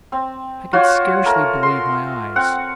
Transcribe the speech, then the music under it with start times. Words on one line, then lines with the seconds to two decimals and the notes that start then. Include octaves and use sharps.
I could scarcely believe my eyes.
0.12 C4
0.73 F4 F#4 C#5
1.25 A3 A#4
1.63 C6
2.36 C4 F#5